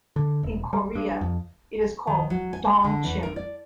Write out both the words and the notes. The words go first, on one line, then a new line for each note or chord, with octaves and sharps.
In Korea, it is called ttongchim.
D3
E1
G3
G2
F2
D#3
F#3
G#5
D3
E2
A#4
D5